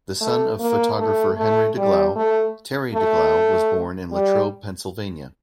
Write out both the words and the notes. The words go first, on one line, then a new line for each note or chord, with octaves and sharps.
The son of photographer Henry Deglau, Terry Deglau was born in Latrobe, Pennsylvania.
A3
A#3
A3
A3
G3
A3
A3
G3